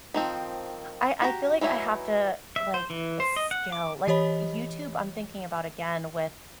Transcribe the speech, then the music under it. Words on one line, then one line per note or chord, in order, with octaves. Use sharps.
I I feel like I have to, like a skill, like, YouTube, I'm thinking about again with
D#3 F3 C4
F#4 G4 A#5
E3 F#3 D#4 E4
E5
C5
E3
C5
D#5
F#5
D6
E3 G4 C#5 D#5 B5